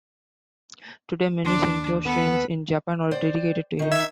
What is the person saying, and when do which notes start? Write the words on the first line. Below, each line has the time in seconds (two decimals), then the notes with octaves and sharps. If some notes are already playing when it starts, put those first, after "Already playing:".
Today many Shinto shrines in Japan are dedicated to him.
1.45 D#2 D4 C6
2.06 B3 A4 B4
3.11 C5 D5 G5
3.79 D#3 D#4
3.92 E5 E6 G#6